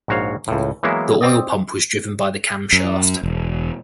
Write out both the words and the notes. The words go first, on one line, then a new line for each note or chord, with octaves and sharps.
The oil pump was driven by the camshaft.
A#1 G#2 F#4 C#5 F5
C#2 A2
E3 F#3 G#3 A#3 B3 E4
C4 D5 D#5
F#2
E1